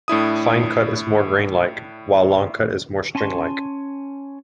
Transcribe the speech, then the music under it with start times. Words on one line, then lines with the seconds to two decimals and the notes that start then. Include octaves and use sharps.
Fine cut is more grain-like, while long cut is more string-like.
0.08 A2 D4 E4 D#6
3.15 C#4 G#5 A5 C6 C#6